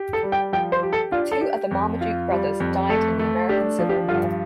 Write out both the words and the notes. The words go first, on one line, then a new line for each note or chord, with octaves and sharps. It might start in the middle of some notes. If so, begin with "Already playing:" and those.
Two other Marmaduke brothers died in the American Civil War.
Already playing: G4
A4
G3
G5
F3 G5
C5
G4
A4
D4 F4
A4
G4
F2
F4
G3
F2
A3 A4
A3
D4 G4
F3
G4
G2 F4